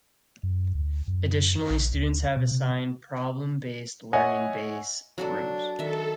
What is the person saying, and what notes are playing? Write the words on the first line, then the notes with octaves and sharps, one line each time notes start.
Additionally, students have assigned problem-based learning base rooms.
F#2
D2
F#2
A#1
D2
B2
C3
C#5 D#5 E5 F#5 G#5
F#3 D4 F#4 A4
D#3 A4 E5